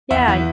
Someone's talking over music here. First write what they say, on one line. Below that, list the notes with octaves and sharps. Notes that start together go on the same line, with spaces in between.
Yeah, y
E2 E5 F#5
E3